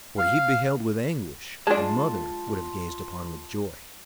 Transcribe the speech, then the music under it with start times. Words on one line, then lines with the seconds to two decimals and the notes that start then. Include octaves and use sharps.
What he beheld with anguish, a mother would have gazed upon with joy.
0.19 F5
1.67 G#3 D4 F4 A5